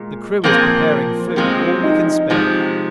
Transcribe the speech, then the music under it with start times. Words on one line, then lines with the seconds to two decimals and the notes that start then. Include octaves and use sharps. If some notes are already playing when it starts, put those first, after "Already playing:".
The crew is preparing food, all we can spare.
Already playing: A#2 G#3
0.44 A#2 F3 A#3 C4 G#4
1.28 A#3
1.36 C3 F3 G#3 C4
1.60 C4
1.83 D#4
2.06 D#4
2.30 C3 F3 G#3